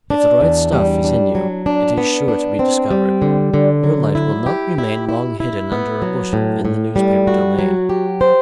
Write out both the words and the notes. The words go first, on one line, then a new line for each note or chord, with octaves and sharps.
If the right stuff is in you it is sure to be discovered; your light will not remain long hidden under a bushel in the newspaper domain.
D4
E2
G3
D4
F#3
D4
B3
D4
C4
G3
D3
D3
F#3
E4
G4
E4
E4
E4
B3
F#3
A2
A2
G3
F#4
F#3
G4
C5